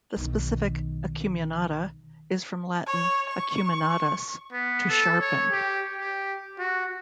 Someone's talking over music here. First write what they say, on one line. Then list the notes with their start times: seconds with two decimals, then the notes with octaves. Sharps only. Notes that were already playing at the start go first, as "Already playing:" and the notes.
The specific "acuminata" is from Latin "acuminatus", "to sharpen".
0.16 B1 D#3
2.87 C#5
3.29 C#6
4.52 B3
4.90 A4
5.21 C#5
5.51 G4
5.96 G4
6.59 F#4